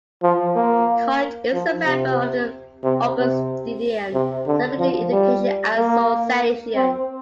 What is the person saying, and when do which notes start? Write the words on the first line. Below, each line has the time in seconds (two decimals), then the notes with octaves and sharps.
The college is a member of the Augustinian Secondary Education Association.
0.23 F3
0.56 A#3
1.54 F3
1.85 C3
2.84 C3
3.16 C3
4.13 C3
4.47 D3
4.79 F3
5.11 G3
5.76 A#3
6.75 C4